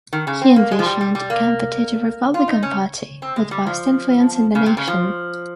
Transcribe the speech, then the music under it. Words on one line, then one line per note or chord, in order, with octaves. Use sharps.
He envisioned a competitive Republican Party with vast influence in the nation.
D#3
C#3
C4
A#3
G#3
F3
G3
G3
G3
A#3
F4
D#4
C#4
C4
G#3
G3
F3
C#3
C3
C#3
F3